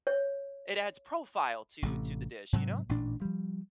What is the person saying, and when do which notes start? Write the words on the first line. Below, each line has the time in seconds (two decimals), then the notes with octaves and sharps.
it adds profile to to the dish, you know?
0.07 C#5
1.82 A1 C3 A3
2.53 G#2 C3 F#3
2.89 A1 A#2 D4
3.22 F3 G3